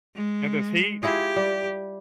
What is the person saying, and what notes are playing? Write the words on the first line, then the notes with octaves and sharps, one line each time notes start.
In this heat?
G#3
E4 F4 G4 G#4
G3